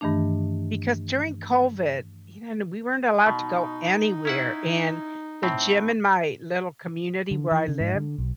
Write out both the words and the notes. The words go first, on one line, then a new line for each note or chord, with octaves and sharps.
because during COVID, you know, we weren't allowed to go anywhere, and the gym in my little community where I lived,
G2 D#3 E3 A3 D4
B2 D#4
C#4 E4 F#5
A2 C4
D3
E3
C#3
G#2
D3
B1